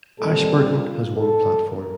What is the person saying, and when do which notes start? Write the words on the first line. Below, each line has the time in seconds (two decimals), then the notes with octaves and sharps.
Ashburton has one platform.
0.18 A#2 G3 C4 A4
0.67 F4
1.16 A4
1.66 A#4